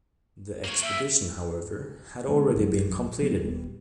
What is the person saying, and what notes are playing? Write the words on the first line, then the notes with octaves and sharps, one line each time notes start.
The expedition, however, had already been completed.
A#3 C#5
A#3 C4 E5
B2 D3 F#3 G#3
A#1 F#2 F#3
B2 F#3 B3 C4
D#1 G3 B3